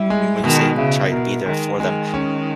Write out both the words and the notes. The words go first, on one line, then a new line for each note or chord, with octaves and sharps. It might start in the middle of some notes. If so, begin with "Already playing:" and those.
and when you say try to be there for them,
Already playing: G3 E4
G#3
B2 D#3
C#3 E4
B2 A#4
D#3 G#3
D#3 G#3
C#4